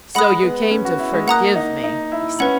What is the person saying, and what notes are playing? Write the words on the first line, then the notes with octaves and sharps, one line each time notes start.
"So you came to forgive me?" he said.
G#3 F#5 B5 D#6 F#6
B3
C#4
F#4
E4
G#3
A#3 F#5 A#5 D#6 F#6
D#4
D#4
E4
C#4 B4 F#5 B5